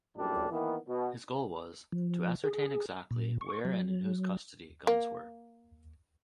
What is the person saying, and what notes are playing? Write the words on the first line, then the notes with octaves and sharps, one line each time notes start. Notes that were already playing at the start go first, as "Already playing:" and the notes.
His goal was "to ascertain exactly where and in whose custody" guns were.
A#1 F#2 A2 G3 D4
D#3 E3 A#3 B3
B2
F3
G#4
A#2
C#6
F#3
A#3